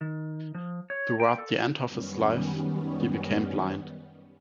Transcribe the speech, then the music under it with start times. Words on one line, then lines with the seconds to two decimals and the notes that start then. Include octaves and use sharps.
Toward the end of his life he became blind.
0.01 D#3
0.55 F3
0.90 C#5
1.20 G5
1.38 A4
1.83 F#2 D#3 G3 B3 C#4